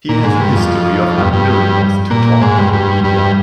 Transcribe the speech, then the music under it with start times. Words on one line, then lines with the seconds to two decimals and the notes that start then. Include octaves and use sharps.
He has a history of unwillingness to talk to the media.
0.09 A#2
0.24 G#2
0.40 G2
0.56 F2
1.18 G2
1.33 G2
2.11 A#2
2.42 G#2
2.58 G2
2.73 G2
3.04 G2